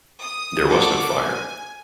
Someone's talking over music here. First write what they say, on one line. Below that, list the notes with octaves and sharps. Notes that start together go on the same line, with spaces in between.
There was no fire.
D#6
A3 D4 F#4 A4 D6
G#5